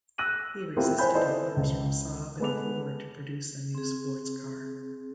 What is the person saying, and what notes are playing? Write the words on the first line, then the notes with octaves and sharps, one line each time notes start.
He resisted offers from Saab and Ford to produce a new sports car.
E6 F#6 A#6 D#7 F#7
C4 E4 F4 G4 A4 A#4
C5 C#5 G#5 B5 G6
E4 A4 B4 C5 D5 D#5
C#2
G#3 B3 A4 B4 D6 F7
C4 G#4